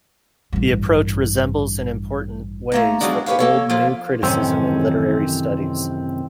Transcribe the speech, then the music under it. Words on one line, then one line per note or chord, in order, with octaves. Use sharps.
The approach resembles in important ways the old New Criticism in literary studies.
A1 G2
A3 A#3 A#5
E2 B2 F3 F#3 G#3 D4
G4 A#4 B4 C#5 F5
A#3 A4 C#5
F3 A#3 F4
A1 F#2 A2 C3 D#3 C4 C#4